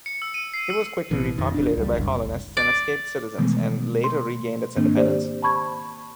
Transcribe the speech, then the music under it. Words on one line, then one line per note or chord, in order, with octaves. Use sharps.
It was quickly repopulated by colonists and escaped citizens, and later regained its independence.
C#7
E6
D#7
C7
E6
A1 B2 E3
F2 D#3
D1 D4
C#2 G3
F#1 C2
D5
B2 D#3 E3 G#3 A3 B3
C6
G#2 D#3 A#3 C4 D4
G4 C5 D5
A5 B5 C#6 G#6